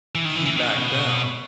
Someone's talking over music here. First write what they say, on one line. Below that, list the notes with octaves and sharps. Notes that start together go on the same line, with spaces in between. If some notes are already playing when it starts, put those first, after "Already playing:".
he backed down.
E3
D#3
E3
E3
D#3
C#3
B2